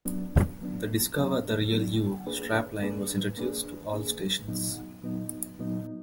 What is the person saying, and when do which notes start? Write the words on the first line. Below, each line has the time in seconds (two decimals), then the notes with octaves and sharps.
The "Discover the Real You" strapline was introduced to all stations.
0.05 F#3 B3 D4
0.61 F#3 B3 D4
1.16 F#3 B3 D4
1.72 F#3 B3 D4
2.27 A#3 D4 G#4 B4
2.83 A#3 D4 G#4 B4
3.38 A#3 D4 G#4 B4
3.93 A#3 D4 G#4 B4
4.48 A#2 F#3 B3 D#4
5.03 A#2 F#3 B3 D#4
5.59 A#2 F#3 B3 D#4